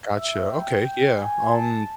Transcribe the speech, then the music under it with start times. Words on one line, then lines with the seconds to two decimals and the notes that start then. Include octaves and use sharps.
Gotcha, okay, yeah, um,
0.15 E5
0.50 G5
1.16 G#5
1.50 A5